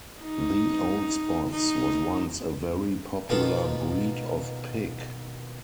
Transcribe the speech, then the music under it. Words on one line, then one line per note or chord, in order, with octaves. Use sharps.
The Old Spots was once a very popular breed of pig.
D#4
D#4
B2 D#3 B3 F4 A4 D6